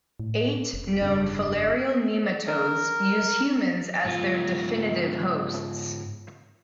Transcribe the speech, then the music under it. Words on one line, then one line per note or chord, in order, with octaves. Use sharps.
Eight known filarial nematodes use humans as their definitive hosts.
A2
F1
G2 C#3
A#4
G#2 F4